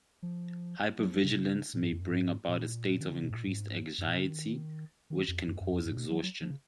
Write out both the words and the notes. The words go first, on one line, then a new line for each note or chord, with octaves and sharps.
Hypervigilance may bring about a state of increased anxiety which can cause exhaustion.
F3
F#3
F3
C#3
B2
C#3
A#2
G#2
F2
F#2
G#2
A#2
D#3
C#3
B2
G#2
A#2
G#2
F#2
A#2
C#3
D#3
D#3
F2
F#2
F#2
F2
F#2
A#2
B2
F#3
F#3
F3
C#3